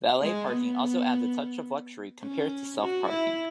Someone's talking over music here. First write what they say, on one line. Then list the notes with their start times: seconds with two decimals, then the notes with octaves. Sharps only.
Valet parking also adds a touch of luxury compared to self-parking.
0.22 G#3
0.51 B3
2.23 C#4
2.81 F#4
3.09 E4